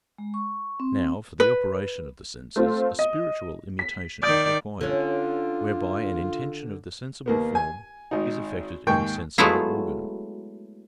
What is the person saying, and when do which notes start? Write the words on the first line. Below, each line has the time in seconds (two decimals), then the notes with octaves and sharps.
Now, for the operation of the senses, a spiritual immutation is required, whereby an intention of the sensible form is effected in the sensile organ.
0.18 G#3
0.34 C#6
0.80 C4
1.40 B4
2.56 A3 C4 F4
2.99 D#5
3.79 B6
4.23 D#3 D5 D#6 G6 D7
4.81 D3 C#4 F4
7.26 D#2 A#3 B3
7.55 G#5
8.11 G#1 D#4
8.87 D#2 G#2 D#3 G5 C#6
9.38 F#3 G#3 A3 B3 E4 F4